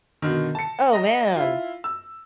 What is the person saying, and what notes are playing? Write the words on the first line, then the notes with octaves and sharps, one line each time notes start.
Oh, man.
B2 D3 D#3
A5 C#7
D#5 A#5 A#6
E4 F4
E6